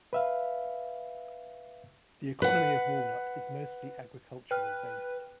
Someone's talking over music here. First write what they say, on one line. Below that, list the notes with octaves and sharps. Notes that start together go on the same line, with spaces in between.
The economy of Walnut is mostly agricultural based.
B4 E5 F5
B4 F#5
B4 G5 F6